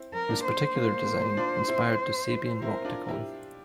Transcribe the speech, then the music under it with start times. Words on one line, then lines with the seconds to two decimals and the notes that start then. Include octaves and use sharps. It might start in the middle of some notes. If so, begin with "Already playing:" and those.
This particular design inspired the Sabian Rocktagon.
Already playing: C4 E4
0.14 A#4
0.29 A#3 D4
0.44 C5
0.76 A#3
1.06 A#3
1.37 D4 F4
1.68 C4 E4
2.61 C4 E4 A#4
2.84 D4 F4
3.08 E4 G4